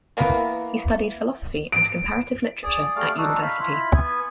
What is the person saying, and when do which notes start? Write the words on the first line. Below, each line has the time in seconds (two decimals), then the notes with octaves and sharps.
He studied philosophy and comparative literature at university.
0.17 E3 A#3 B3
1.72 D7
2.63 G#4 D5
2.96 G3 A3 D5 F5
3.18 D4 D#4 F#4 A4
3.42 F5 B5
3.60 E4 F4 B5
3.94 B3 G#5